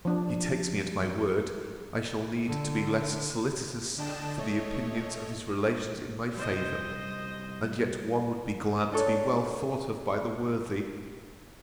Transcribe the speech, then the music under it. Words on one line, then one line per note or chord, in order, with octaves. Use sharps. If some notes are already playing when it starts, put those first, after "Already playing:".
If he takes me at my word, I shall need to be less solicitous for the opinions of his relations in my favour: and yet one would be glad to be well thought of by the worthy.
F3 D4
D3
D3 D4 D#5 G5 A5 E7
A3 C#5 D#5
C3 G3 C5 D#5
D4 A4 C#5